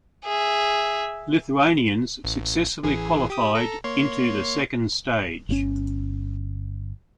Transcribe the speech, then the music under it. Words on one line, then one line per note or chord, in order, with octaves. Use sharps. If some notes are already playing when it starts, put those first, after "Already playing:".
Lithuanians successfully qualified into the second stage.
G#4 E5
A1
A1 E3 G#4
G4 D#6
A4 A#5
A#3 C#5 C6
G1 D3 C#4